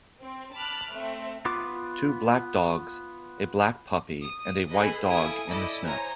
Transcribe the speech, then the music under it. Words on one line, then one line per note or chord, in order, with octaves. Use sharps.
Two black dogs, a black puppy, and a white dog in the snow.
C4
A5 B5 D6 F6 F#6
A3 C4 E5
B3 F4 D6
D#6
G#4 A4 B4 D#5
E4 A4 F5 G#5 D#6 D7
E4 A4 D5 D#5
C5 C#5 G#5 A#5